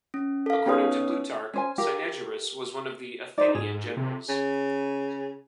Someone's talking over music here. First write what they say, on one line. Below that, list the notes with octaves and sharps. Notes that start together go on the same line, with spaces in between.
According to Plutarch, Cynegeirus was one of the Athenian Generals.
C#4
A4 F5
B3 C#4 D#4 B4 C#5 D#6
C#4 C5 G#5
G4 A#4 F5
D#4 C5 D5
G#2 G#4
C3
C#3